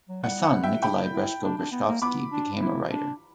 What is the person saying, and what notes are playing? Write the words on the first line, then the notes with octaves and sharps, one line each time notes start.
Her son Nikolay Breshko-Breshkovsky became a writer.
F#3
G3 F#5
F#5
B3
E5 G5
D4 G5 B5
E4
D4
D4
B3
A#3
B3 B5 D6
D4
E4
D4